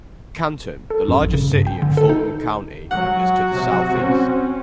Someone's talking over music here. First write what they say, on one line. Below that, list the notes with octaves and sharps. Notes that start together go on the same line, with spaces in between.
Canton, the largest city in Fulton County, is to the southeast.
A4
F#2
A1
C#3
G2
G5
D3
A4
D#4
F#3 F#4 F#5
C3 F#3
C4 C#4